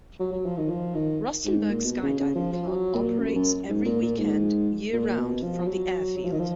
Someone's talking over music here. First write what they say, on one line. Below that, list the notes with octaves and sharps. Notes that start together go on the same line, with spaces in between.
Rustenburg SkyDiving Club operates every weekend year round from the airfield.
F#3
F#3
F3
D#3
F3
D#3
G#2
A#2
B2
C#3
C#3
F3
F3
F#3
A#2
F#2
F#2
G#2
A#2
A#2
G#2
A#2
B2
F3
F#3
F#3
F3
D#3
F3